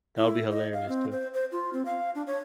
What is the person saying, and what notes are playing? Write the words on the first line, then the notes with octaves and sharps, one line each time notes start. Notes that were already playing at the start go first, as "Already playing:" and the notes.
That would be hilarious, too.
E4
D#5
F5
C4
C5
C5
F4
C4
F5
D4
C#5